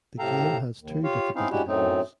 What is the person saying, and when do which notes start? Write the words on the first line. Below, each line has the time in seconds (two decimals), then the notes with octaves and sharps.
The game has two difficulty levels.
0.19 A2 C3 A4 F5 G5 A#5
0.81 D#2
1.04 F4 G4 C#5 F5
1.36 C4 C#4 D#4 E4 F5
1.51 G#3 C#4 D4 E4 F#4 G4
1.67 F#2 A2 F#3 A3 C4 D#4